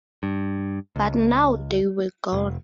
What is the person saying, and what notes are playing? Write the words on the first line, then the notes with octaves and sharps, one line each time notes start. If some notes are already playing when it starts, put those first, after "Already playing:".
But now they were gone.
G2
C#2
F1